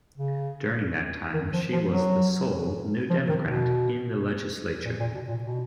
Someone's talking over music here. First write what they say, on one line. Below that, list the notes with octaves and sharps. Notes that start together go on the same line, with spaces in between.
During that time, she was the sole New Democrat in the legislature.
C#3
D#3
F3
F3
F#3
F3
D#3
B2
A#2
A#2
B2
A#2
B2